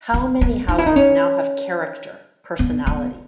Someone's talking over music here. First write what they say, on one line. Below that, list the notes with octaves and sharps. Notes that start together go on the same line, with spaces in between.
How many houses now have character, personality?
B3
B3
D#4
E4
D#4
C#4
B3
B3